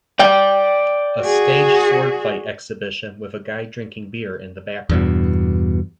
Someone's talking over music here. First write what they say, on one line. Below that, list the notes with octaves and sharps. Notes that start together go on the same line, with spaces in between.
A staged sword fight exhibition with a guy drinking beer in the background.
D5 G5
F#4 G#4
E2 G2 B2